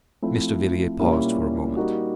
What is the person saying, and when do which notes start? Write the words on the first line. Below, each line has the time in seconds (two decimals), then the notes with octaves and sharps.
Mr. Villiers paused for a moment.
0.22 F3 A3 C4 E4
0.99 A#2 G3 A#3 C#4 E4
1.76 G3 A#3 D#4 F#4